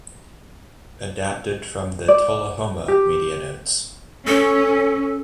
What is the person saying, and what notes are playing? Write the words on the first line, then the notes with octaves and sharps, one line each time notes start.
Adapted from the "Tullahoma" media notes.
D5
G4
C#4 A4